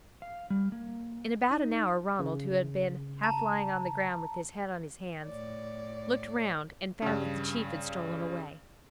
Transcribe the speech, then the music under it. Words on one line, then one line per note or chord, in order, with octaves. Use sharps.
In about an hour Ronald, who had been half lying on the ground with his head on his hands, looked round and found that the chief had stolen away.
F5
G3
A#3
D#4
C#3
A5 A#5
A2 C#5 D5
G2 C#3